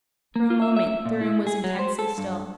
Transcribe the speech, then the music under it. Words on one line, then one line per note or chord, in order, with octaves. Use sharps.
For a moment the room was intensely still.
A#3
F4
E5
E5
A#2
E4
G#4
F#3
C5
A4
G2